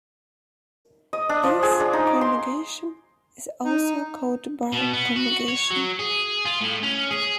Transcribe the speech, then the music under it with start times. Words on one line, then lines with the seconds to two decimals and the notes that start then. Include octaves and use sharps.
This conjugation is also called bar conjugation.
1.13 D#5
1.29 D4
1.43 F3
1.62 G#4
1.80 D4
1.93 D#4
2.07 D6
2.21 C6
3.65 D#4
4.73 B2
4.93 B3
5.16 F#4
5.48 C#5
5.71 F#3
5.99 G#4
6.45 F4
6.60 A2
6.83 C#4
7.11 G#4